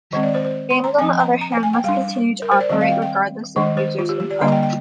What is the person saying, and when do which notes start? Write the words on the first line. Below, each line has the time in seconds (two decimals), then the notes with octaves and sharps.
Games, on the other hand, must continue to operate "regardless" of a user's input.
0.13 D#3 G#3 C4 D#5
0.23 D5
0.35 C5
0.45 C5
0.70 C6
0.84 A#5
0.98 F3 C4 G#5
1.20 A#5
1.41 A#5
1.52 G#5
1.63 G#5
1.73 G5
1.84 G3 D4 F5
2.42 A#4
2.52 C5
2.61 D5
2.69 D#3 G3 C4 D#5
2.81 F5
2.92 G5
3.02 G5
3.56 D#3 G#3 D4 D#5
3.77 C5
3.99 F4
4.09 G4
4.20 G4
4.31 D5
4.41 D3 G3 A#3 D4 D#5
4.52 G5
4.63 G5